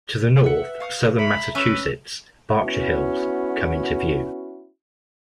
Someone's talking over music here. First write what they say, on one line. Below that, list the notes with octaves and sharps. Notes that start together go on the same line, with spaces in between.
To the north, Southern Massachusetts Berkshire Hills come into view.
B4 E5 F#5
F5 C#6 D#6
E5 A#5 B5
C#4 B4 E6
B3 C#4 E4 F#4